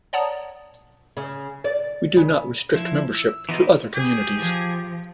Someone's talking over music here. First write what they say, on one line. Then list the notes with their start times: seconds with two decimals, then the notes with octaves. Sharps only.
We do not restrict membership to other communities.
0.13 C#5 D5 F#5 A5 A#5 D#6
1.17 C#3
1.64 D5
2.16 C#3
2.74 F3 E4
3.15 E6
3.49 E3 B3 D#4 F4 D#5
3.94 G4 G#4
4.37 F3